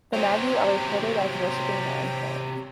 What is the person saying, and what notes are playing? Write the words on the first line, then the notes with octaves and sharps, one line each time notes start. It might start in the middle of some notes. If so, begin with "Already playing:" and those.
The Magi are reported as worshiping the infant.
C3 F#3 C5 C#5 G5